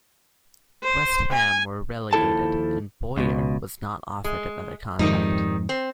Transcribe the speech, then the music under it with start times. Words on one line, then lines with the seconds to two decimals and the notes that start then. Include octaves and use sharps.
West Ham were relegated and Bowyer was not offered another contract.
0.84 C5
1.33 G#5
2.13 D#2 F3 E4 G4 A4 A5
3.18 C#2 B2
4.24 G#3
4.99 F2 G#2 D#3 G3 D#4
5.69 C4